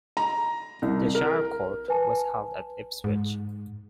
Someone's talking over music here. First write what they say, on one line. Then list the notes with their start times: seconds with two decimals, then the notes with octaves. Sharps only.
The shire-court was held at Ipswich.
0.17 A#5
0.82 C2
1.15 A#4
1.88 B4 G#5 A5
3.04 G#2